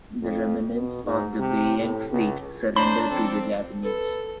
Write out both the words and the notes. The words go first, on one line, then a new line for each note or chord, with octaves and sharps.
The remnants of the Beiyang Fleet surrendered to the Japanese.
F2
B2
G#2
C3
A2
C#2
F2 D4 C5 C#5 A#5 B5
F3 C4 A4
A4 B4